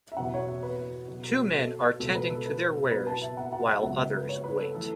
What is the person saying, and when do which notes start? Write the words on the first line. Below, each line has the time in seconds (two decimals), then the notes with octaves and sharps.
Two men are tending to their wares while others wait.
0.12 E5
0.16 E2 B2 F#3 C#4 F#5
0.34 C#5
0.39 E5
0.63 B4
1.08 B2 F#3 B3
1.54 A4
2.00 C#2 B2 A3 A4
2.15 B4
2.30 A4
2.46 B4
2.91 B2 F#3 B3 B4
3.07 A5
3.22 E5
3.37 F#5
3.53 F#5
3.67 E5
3.83 C#2 C#3 F#3 F#5
3.98 E5
4.14 B4
4.29 C#5
4.44 B4
4.59 A4
4.75 E3 A3 A4